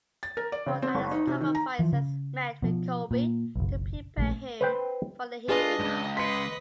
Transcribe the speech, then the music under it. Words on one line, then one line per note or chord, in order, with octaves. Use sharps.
Ford and his top advisers met with Colby to prepare him for the hearing.
A6
A#4
D5
C#3
C4
F#1
D#4
C3
D#3
A#5
E3 F3
C#3
B2 F3
A#2
F#1 B1
A#1 F3 A3
B4 C5 G5
D4 F4 G#4 B4 D#5
C#2 G#2
B4 D#5 C6 B6 C#7